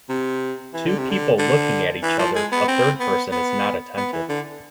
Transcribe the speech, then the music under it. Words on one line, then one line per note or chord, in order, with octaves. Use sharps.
Two people looking at each other, a third person is not attentive.
C3
E3
D3
C3
D3
D3
E3
F3
G#3
B3
C4
B3
B3
B3
E3
D3